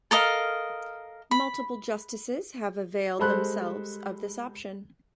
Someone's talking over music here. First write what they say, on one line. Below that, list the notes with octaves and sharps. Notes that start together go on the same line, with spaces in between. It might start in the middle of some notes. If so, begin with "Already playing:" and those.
Multiple Justices have availed themselves of this option.
A4 A#4 D#5 F5
B5
G3 G#3 A4 C5 B5 F#6